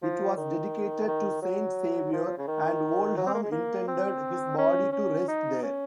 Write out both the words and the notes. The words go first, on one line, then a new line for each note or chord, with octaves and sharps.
It was dedicated to Saint Saviour, and Oldham intended his body to rest there.
F3
D#3
D#3
F#3
F3
C#3
D#3
F#3
C4
A#3
G#3
A#3
C4
C#4
C#4
D#4
C#4